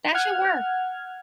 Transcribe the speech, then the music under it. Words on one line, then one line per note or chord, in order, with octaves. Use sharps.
That should work.
F#5 F6 G#6